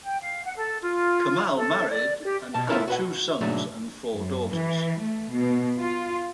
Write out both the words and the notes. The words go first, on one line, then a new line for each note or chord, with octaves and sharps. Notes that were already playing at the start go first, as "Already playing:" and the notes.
Kamal married and had two sons and four daughters.
G5
F5
F#5
A4
F4
A4
D5
G4
B2 A5
A3 B3 E4 F4 A4 A#4
F#4 B4 F#5
G#2 B2 D3 F#3 A3
F#2
E3
A3
B2
F4